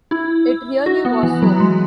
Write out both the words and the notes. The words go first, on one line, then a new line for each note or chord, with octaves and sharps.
It really was so.
E4
F#4
B3
E3
F#3
G#3